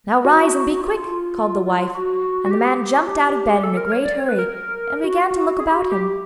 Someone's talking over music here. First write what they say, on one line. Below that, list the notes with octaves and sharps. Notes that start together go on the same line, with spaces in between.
'Now rise, and be quick,' called the wife, and the man jumped out of bed in a great hurry, and began to look about him.
F#4
F4
F#4
F4
F#4
F#4
G4
F#4
G4
A4
A#4
C#5
D5
C#5
B4
A#4
F#4
G#4
G4
F#4
G4